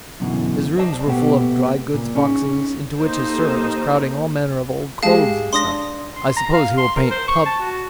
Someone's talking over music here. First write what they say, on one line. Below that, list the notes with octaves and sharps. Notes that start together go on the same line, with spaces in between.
His rooms were full of dry goods boxes, into which his servant was crowding all manner of old clothes and stuff: I suppose he will paint 'Pub.
F#2 B2 D3 E3
C5 D5 D#5 A5
B2 A3 B3 G4
A#2
C#4 D#4 G#4
A#3 D#4 G4 A4 C5
G#3 G4 F5 A5
D4 C6 D#6 A#6
C6
A#5
F5
C6
A#4
C5
C#6
A5
F#4